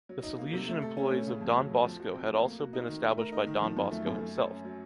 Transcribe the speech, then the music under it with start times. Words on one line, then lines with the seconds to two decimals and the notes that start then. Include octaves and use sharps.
The Salesian employees of Don Bosco had also been established by Don Bosco himself.
0.09 F#3
0.23 D#4
0.38 A#3
0.53 C3
0.68 A3
0.82 A4
0.97 C#4
1.11 A2
1.27 C#3
1.41 F2
1.56 F#3
1.71 F2
1.85 F3
2.00 F#4
2.14 C4
2.29 A2
2.44 A#3
2.59 F#4
2.73 D#4
2.88 D#3
3.03 A3
3.18 A#4
3.32 D#4
3.47 D#3
3.62 F3
3.77 F#2
3.91 A3
4.07 F#2
4.21 A3
4.35 A4
4.50 C#4
4.65 F#3